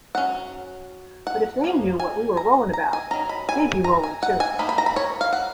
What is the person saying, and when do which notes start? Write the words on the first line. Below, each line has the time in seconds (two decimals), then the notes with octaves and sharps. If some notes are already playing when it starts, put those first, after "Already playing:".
But if they knew what we were rollin' about, they'd be rollin' too.
0.15 F#3 C#4 F#5
1.27 F#5
1.64 F3 A#3 C#4
1.99 G#5
2.37 A#5
2.73 A#5
2.93 G#5
3.11 D#3 F#3 C#4 A#5
3.29 B5
3.49 G#5
3.84 A#5
4.03 G#5
4.23 F#5
4.40 G#5
4.59 D#3 A#3 D#4 B5
4.69 B5
4.78 A#5
4.86 B5
4.96 C#5
5.21 F5
5.33 F#5